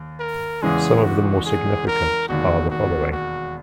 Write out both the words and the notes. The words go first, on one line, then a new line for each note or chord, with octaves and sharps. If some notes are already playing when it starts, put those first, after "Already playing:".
Some of the more significant are the following.
Already playing: D#2
A#4
E2 C#3 E3 G#3 G#4
F#4
G#4
A#4
E1 D#2 D#3 F#4
F#4
F#4